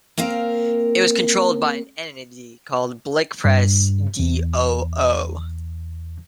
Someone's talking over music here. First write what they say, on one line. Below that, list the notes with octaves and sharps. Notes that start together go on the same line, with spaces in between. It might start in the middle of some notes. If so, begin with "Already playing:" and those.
It was controlled by an entity called Blic Press d.o.o.
A#3 C4 A#4 F5
G2
E2